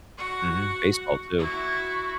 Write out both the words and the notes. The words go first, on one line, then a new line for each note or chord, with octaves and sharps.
Mhm, baseball too.
F#4 F#5
E4 F#4